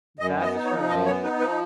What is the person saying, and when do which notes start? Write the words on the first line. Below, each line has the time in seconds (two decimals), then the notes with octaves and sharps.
That's true.
0.19 F#2 D#5
0.37 B3
0.43 D#5
0.54 D#4
0.65 C#5
0.72 F3
0.89 F#2 D#5
1.06 B3 C#5
1.23 D#4 B4
1.40 F3 B4